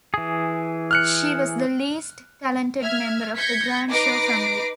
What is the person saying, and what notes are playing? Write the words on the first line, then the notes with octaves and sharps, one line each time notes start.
She was the least talented member of the Grantzow family.
E3 G#4
F6 F#6 C#7
E5 F6 G#6
G6 G#6 A#6 B6 C#7
D#4 B4 D6 A#6 C7 D7